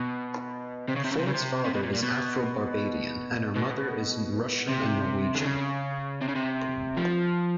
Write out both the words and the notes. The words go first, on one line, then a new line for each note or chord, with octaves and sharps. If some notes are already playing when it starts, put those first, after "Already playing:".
Ford's father is Afro-Barbadian and her mother is Russian and Norwegian.
Already playing: B2
C3
C#3
C3
C#3
C3
C#3
C3
C3
B2
A#2
A#2
B2
B2
C3
D3
C#3
C3
C#3
C3
F3